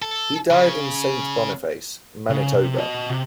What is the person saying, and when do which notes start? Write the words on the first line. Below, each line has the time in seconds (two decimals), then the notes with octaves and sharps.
He died in Saint Boniface, Manitoba.
0.02 A4
0.51 C#3
2.30 C#3
2.54 C3
2.78 F#4 D#5
3.09 C3